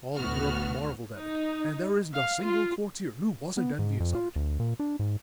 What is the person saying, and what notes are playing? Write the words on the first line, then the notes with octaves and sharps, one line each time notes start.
All Europe marveled at it, and there isn't a single courtier who wasn't envious of it.
D2 A2 B3 F#4 F6
D#4
F5
F4
B3
G#2
F2
F4
D2
A#2
D4
G#2